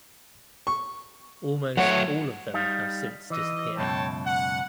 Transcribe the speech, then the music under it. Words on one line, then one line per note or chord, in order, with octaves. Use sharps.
Almost all of them have since disappeared.
C#6
F#3 A3 C#5 F#5
G3 D#4 F5
E3 D#5
C#2 F#2 B2 C#5 G5 A5
F#5